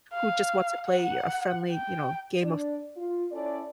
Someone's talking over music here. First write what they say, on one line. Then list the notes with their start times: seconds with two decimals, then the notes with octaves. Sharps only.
who just wants to play a friendly, you know, game of
0.14 F5
0.87 F#5
1.72 G5
2.42 D4 D5
2.96 F4
3.32 C#4 E4 A4 D5